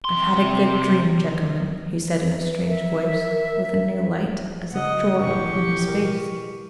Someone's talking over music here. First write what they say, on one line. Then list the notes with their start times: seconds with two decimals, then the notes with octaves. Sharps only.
"I've had a good dream, gentlemen," he said in a strange voice, with a new light, as of joy, in his face.
0.05 C3 C6
2.43 B4
2.68 A#4 E5
4.72 F#1 D#5 F#5
5.22 A1 B2 G4 G5 C#6
5.88 A#4 G5 D6